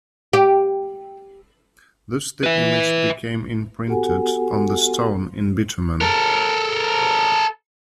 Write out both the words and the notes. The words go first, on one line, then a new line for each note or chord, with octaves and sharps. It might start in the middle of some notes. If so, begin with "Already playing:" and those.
Thus the image became imprinted on the stone in bitumen.
G4
B4 E5
B3 F#4 G4 A4 F#5 G#5
A4 A#4